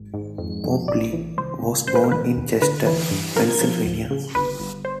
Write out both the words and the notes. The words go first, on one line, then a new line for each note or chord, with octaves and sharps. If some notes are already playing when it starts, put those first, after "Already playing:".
Pompilli was born in Chester, Pennsylvania.
Already playing: G#1
G#2
F2
F2
A#1 D5
E3
C#2 C5
C#2
A1 C5
B4
A#4
A1 B4
D#2
D3 B4
E3 B4
G2
F3 A#4
F3
D2
C#3
G1 B4
G1
C5